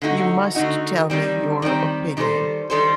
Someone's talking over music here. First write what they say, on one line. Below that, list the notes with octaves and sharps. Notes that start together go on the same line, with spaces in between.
You must tell me your opinion.
D3 A3 D#4 F#4
D3 A3 D#4 F#4
D#3 G3 C4
D#3 G3 C4
D#3 G3 D4 A4 C5
D#3 G3 D4 A4 C5